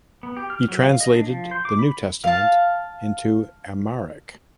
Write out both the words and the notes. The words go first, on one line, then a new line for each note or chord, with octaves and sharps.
He translated the New Testament into Amharic.
B3
G4
F6
F#3
F5
D#5
D4
F3
C5
D6
B5
F5 A5